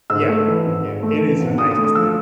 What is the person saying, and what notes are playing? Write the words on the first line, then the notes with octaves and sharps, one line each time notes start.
Yeah. Yeah, it is a nice thing.
G#2 E6
A3
E3
G#1
G#2
A3
E3
G#1
D3 D#6
D#6
A3
D#6
F3 E6